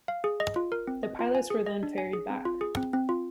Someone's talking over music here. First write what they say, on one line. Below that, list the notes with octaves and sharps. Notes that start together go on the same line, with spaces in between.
The pilots were then ferried back.
F5
G#4
D#5
F4
A#4
C4
D#5
F4
G#5
G#4
D#5
D4
G#5
G#4
C4
F4
G#4
C4
C4
F4